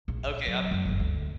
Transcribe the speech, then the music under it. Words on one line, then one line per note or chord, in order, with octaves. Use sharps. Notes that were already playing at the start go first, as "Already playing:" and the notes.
Okay. I'm I
A#1
F#3
F#2
G1 E2
D2